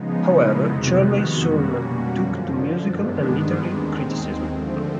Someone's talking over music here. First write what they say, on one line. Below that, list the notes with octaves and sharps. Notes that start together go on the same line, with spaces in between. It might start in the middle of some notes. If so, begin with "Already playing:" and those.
However, Chorley soon took to musical and literary criticism.
Already playing: C#3 F3 G#3 B3 D#4
E4
F2 C3 D#3 G#3 B3 F#4
B2 G3 A#3 C#4
F#2 D3 F3
G2 D#3 G#3 B3 D4
D#2 D#3 G#3 C4
D3 F3 A3 C4